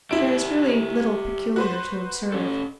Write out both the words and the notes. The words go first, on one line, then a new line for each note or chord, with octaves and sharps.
There is really little peculiar to observe.
E4 G4 D5 E5 D7
F#4 B4 C5
C#4 A4